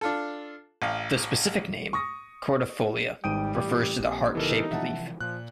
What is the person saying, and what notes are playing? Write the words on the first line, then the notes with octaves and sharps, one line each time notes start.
The specific name, "cordifolia", refers to the heart-shaped leaf.
D4 F4 A4
A1 F5
C#6 D#6 A#6
G#1 G#2 G3 G5 D#6 D7 D#7
A2 E3 G4
A#1 A#3 C4
G1 C#3 E3 B3 D#4 A4 A#4
C3 E3 F3 E5 F#5 A5
A#2 F3 F#6